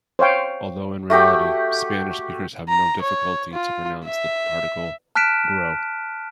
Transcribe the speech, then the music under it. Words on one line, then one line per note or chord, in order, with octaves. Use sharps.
Although in reality Spanish speakers have no difficulty to pronounce the particle 'gro'.
C5 C#5 F5 G5
A3 F#4 G4 G5
A#5
C#5
F4
E5
A5 F6 F#6 B6 D7 E7